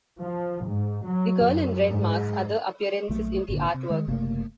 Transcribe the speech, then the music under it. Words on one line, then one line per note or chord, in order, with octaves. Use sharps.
The girl in red makes other appearances in the artwork.
F3
G#2
F#3
F#2
G#2
A#1 F3 F#3 A3
G#1 A#2 D3
C3
D#3 G#3
F#1 C3 A3 A#3